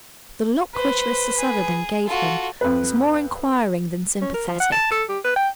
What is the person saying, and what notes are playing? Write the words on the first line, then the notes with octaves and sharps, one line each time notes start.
The look which Mr. Sutherland gave him was more inquiring than sympathetic.
B4 C5
G#4
F4 F#4 A4
F2 B4
C#4
A#4
F3
F#5
A5
A4
G4
B4
G5